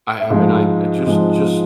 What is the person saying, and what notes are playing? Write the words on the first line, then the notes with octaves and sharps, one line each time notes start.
I I mean, I I just just
E5
G#2 F3 G#3 F5
G#2 F3 G#3